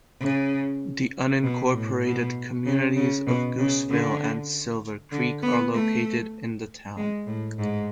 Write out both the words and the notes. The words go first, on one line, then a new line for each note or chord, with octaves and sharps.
The unincorporated communities of Gooseville and Silver Creek are located in the town.
C#3
B2
A2
B2
C#3
C#3
B2
C#3
D3
D3
B3
A3
G#3
A2
G#2